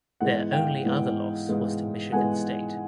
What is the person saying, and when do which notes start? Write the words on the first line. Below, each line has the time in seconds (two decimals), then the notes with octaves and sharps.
Their only other loss was to Michigan State.
0.21 G#2 E3 G#3 B3 F#5
0.52 F5 G5
0.85 G#2 E3 G#3 B3
1.49 G#2 E3 G#3 B3
2.12 G#2 E3 G#3 B3 F#5 G#5